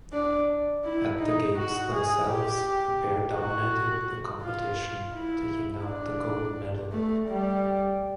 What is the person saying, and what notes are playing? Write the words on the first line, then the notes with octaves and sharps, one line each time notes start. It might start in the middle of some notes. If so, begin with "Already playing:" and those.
At the games themselves, the pair dominated the competition, taking out the gold medal.
D4
E4
D#4
F#4
G#4
G4
F#4
F4
E4
D4
A3
G3